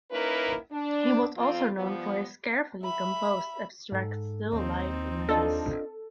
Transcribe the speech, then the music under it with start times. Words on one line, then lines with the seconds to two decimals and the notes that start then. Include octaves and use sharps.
He was also known for his carefully composed abstract still life images.
0.11 A#3 C#4 D#4 E4 A#4 B4
0.72 D4
1.36 F2 F3 C4 F4
1.75 F3 G3 B3
2.83 E5 B5
3.92 G#2 A4
4.53 D#2 C4 D#4
5.29 D4 F4 A4 D#5